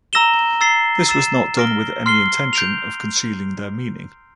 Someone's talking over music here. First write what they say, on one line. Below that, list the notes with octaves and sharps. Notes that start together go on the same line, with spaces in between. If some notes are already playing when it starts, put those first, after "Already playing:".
This was not done with any intention of concealing their meaning.
A#5 E6 A#6 E7 G7
A#5 E6 A6 C7 G7
E6 A6 C7 E7
F6 A#6 D7 G7
C6 F6 C7 G7
G6 D7 F7